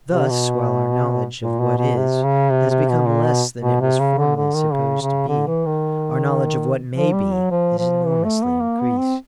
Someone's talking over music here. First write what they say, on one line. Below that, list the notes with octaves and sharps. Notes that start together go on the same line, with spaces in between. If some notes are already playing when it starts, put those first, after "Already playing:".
Thus, while our knowledge of what is has become less than it was formerly supposed to be, our knowledge of what may be is enormously increased.
C3
B2
A#2
B2
B2
C3
C#3
C3
C3
B2
A#2
B2
B2
C3
C#3
D3
D3
D#3
C#3
C#3
D3
E3
D#3
F3
G3
F#3
F3
F3
E3
A3
B3
A#3
B3
C4